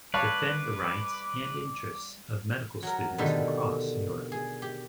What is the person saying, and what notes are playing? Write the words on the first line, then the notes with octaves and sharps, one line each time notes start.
Defend the rights and interest of medical students across Europe.
G3 B4 C#5 F5 A5 D6
F#3 A#4
B2 D3 D#3 G3 A3
G#4
G4